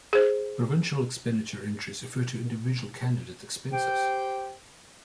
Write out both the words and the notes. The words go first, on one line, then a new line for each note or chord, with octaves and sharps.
Provincial expenditure entries refer to individual candidate expenses.
G#4 C5
G4 C5 G5